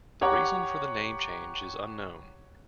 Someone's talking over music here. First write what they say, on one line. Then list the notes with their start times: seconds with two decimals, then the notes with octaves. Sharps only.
The reason for the name change is unknown.
0.21 G4 C#5 F#5 A#5 C#6 D6